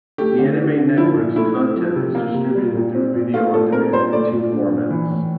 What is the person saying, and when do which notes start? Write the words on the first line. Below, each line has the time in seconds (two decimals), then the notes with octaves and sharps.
The Anime Network's content is distributed through Video On Demand in two formats.
0.18 A3 G4
0.38 D3
0.57 D4
0.78 D3
0.97 F3 E4
1.17 A#2
1.36 A3 E4
1.56 C4
1.76 F3
1.96 C3
2.15 A#3
2.34 C3
2.55 G3
2.74 A#2
2.95 C4
3.14 A#2
3.34 A3 F4
3.54 A#2 A4
3.72 C4 A#4
3.93 A#2 C5
4.12 A3 D5
4.32 A#2
4.52 D4
4.72 A#2
4.90 E3
5.10 A2